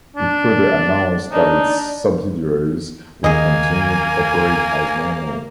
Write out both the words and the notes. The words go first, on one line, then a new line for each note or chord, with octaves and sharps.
It further announced that its subsidiaries would continue to operate as normal.
D4
D4 D#4
D#2 A#3 G#4 D#5 G#5